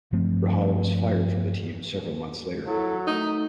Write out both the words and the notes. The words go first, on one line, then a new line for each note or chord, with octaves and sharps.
Rahal was fired from the team several months later.
G2 F3 A3 C4
F#3 E4 A4
A3 D#4